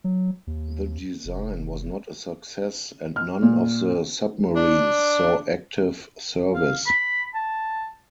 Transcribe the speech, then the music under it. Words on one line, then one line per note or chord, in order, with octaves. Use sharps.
The design was not a success and none of the submarines saw active service.
F#3
D#2
F1
F6
A#2
D4
F5
B5
A5